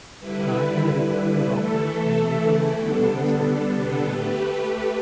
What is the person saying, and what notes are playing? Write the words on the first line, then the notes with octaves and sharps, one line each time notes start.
Gardner returned to Rockland and later moved to Augusta, where he died.
D3 G3 E4 B4
E3 A3 E4 A4
D3 G3 B3 D4 A4
A3 G4 B4